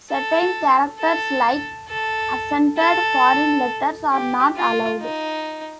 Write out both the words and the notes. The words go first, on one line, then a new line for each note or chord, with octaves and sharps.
Certain characters, like accented foreign letters, are not allowed.
A4
A4
A4
A4
G4
F4
D#4